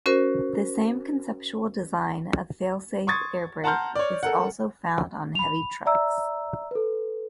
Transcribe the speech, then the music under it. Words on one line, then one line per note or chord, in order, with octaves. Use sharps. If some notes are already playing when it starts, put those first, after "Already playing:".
The same conceptual design of fail-safe air brake is also found on heavy trucks.
C#4 F#4 A#4 C5
C6 C#6 D#6 G#6 A6
F#5 A5 A#5 C6 F6 G6
C#5 D5
A4 A#4 F#5
B5 F7
D5 E5 A#5 E6
A4 B4